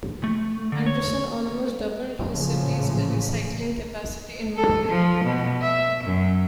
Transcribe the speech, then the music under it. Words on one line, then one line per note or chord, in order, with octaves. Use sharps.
Anderson almost doubled the city's recycling capacity in one year.
A3
D3
C#5
A1 A#2 C#3 F3 A3
A4
F3
B2
E5
F#2